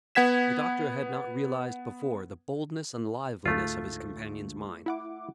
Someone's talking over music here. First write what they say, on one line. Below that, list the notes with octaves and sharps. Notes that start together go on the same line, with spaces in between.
The doctor had not realized before the boldness and liveliness of his companion's mind.
B3 F#5 G#6 B6 E7
D2 G#2 A3 F4
E4 F#5 D6